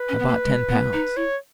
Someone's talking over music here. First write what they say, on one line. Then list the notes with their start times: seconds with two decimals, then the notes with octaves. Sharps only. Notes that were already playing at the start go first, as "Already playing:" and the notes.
I bought ten pounds.
Already playing: B4
0.09 C#4
0.19 B3
0.28 A#3
0.44 G#3
0.69 B3
0.93 D#4
1.16 E4 C#5